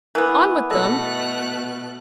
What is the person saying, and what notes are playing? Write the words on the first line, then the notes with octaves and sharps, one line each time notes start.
On with them!
E3 B3 A#4
B2 A3 A4 D#5 A5 F#6